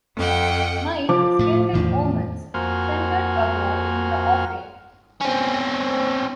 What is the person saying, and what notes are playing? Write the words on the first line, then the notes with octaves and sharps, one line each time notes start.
Mike, skilled in omens, scented a row in the offing.
F2 F#5 G5
F3 D6
A2 A3
E2 A2 D#3
F2 A#3 F#4 C5 G#5 F6
C4 C#4